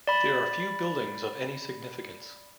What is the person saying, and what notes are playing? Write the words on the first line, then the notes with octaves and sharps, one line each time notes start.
There are few buildings of any significance.
D5 B5